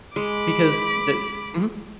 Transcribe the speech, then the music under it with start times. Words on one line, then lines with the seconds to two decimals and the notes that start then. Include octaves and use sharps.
because the mhm.
0.16 G#3 B5 D6